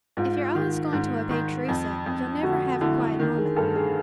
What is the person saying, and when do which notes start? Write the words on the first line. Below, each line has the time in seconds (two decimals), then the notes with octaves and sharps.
"If you're always going to obey Teresa, you'll never have a quiet moment."
0.17 G#2 F4
0.55 D#3
0.93 G#2
1.30 D#3
1.69 F2
2.06 F2
2.43 D3 F#4
2.81 D3 E4
3.19 D#3 A#4
3.38 G#4
3.56 G2 A4
3.76 G#4